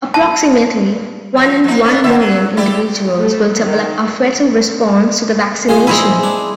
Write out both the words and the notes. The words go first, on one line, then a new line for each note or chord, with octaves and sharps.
Approximately one in one million individuals will develop a fatal response to the vaccination.
A5
F3
F3 D#4
B3 D4
D3 E4 E5
F#3
E4 G4 D5
A3
D#3
G#3 F4 G#4
A#1 G#3 C4 E4 G#5
D4